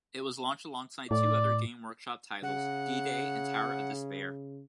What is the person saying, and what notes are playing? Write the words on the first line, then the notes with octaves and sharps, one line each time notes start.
It was launched alongside two other Games Workshop titles, D-Day and Tower Of Despair.
A2 D5
C#3 F#5